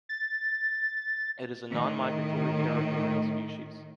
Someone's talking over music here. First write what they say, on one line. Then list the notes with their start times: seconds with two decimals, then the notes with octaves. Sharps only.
It is a non-migratory territorial species.
0.09 A6
1.73 A2 D#3